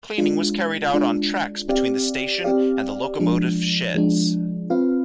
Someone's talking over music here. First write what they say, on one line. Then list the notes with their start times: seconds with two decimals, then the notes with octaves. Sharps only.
Cleaning was carried out on tracks between the station and the locomotive sheds.
0.18 G#3 D4 F4
0.94 G#3 D4 F4
1.68 C4 G4 D5 F5
2.44 C4 G4 D5 F5
3.20 F3 G#3 D4
3.95 F3 G#3 D4
4.70 C4 F4 B4 F5